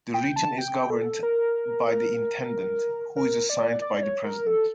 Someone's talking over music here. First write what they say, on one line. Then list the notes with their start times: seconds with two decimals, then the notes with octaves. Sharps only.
The region is governed by the intendant, who is assigned by the president.
0.14 G5
0.36 A5
0.58 G5
0.90 A4
1.23 A#4
1.88 A#4
3.16 A#4
3.50 D5
3.82 D5
4.03 C#5
4.25 A#4
4.47 A4